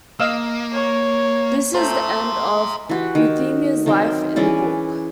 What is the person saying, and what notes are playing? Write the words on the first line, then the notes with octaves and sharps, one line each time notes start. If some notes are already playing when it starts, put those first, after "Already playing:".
This is the end of Euphemia's life in the book.
A#3 D#5 F5 E6
C#5
A3 C5 A#5 C6
E3 F#4 G4
D#3
D#3 F#3 C4
E3 C#4 G#4 D5